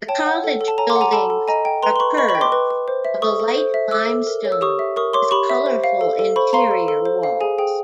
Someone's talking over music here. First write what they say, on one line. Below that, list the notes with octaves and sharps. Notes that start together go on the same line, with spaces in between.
The College buildings are curved, of a light limestone with colourful interior walls.
C#5 G5 A5
F#5
A4
A4
A5
C#5 G#5 A#5
C6 D6
F#5
G#5 A#5
A4 A5 B5
A4
D#5 G#5 A#5
G5
B4 A#5 C6
C6
B4 B5 C#6
D#5 B5 C#6
B5 C#6
G5
C6 D6
B4
B4
C5
E5
A4 C#6 D#6
A4
C5
E5
A4 D6 E6
A4
A#4
C#5
E6
G4 C#6 D#6
E5
A#4 C#6 D#6
C#5 C6 D6
G4 B5 C#6
E5
C5
F5
A4
A4
C5 B5 C#6
F5 A#5 C6
A4
A4
C5
F5
G#4 G#5
G#4 G5